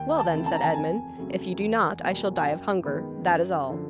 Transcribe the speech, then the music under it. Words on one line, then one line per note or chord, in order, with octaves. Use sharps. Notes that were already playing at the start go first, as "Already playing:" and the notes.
"Well, then," said Edmond, "if you do not, I shall die of hunger--that is all."
Already playing: D#2 G5
A5
C#3 E3 A3 C4
A5
A#5
A5
F2 G#5
C#3 F#3 A3 C4
E2
B2 G3 A#3
G#5
F#2 G5
D#3 G#3 B3
F#2
D3 F3